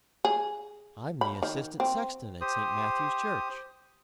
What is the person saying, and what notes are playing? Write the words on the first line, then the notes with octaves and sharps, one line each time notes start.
"I'm the assistant sexton at St. Matthew's Church."
G#4
B5
D#3
C4
G4 C5 D#6